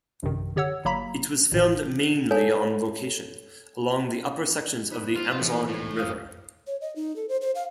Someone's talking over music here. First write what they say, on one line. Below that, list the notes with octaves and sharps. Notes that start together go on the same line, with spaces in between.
It was filmed mainly on location, along the upper sections of the Amazon River.
A#1 F#2 C3 D#3
D3 G4 C#5 F#5 E6
G1 F#3 A#3 A#5 B5 B6
G#1 A2 E3
A4 A#4 C#5 F5 G#5 A5
F3 B3 D#4 B4
F4
A2 E3 C#4
A2
F5 D#6 G6 D7
C#5
D#5
D#4
A4
C5
C5
F5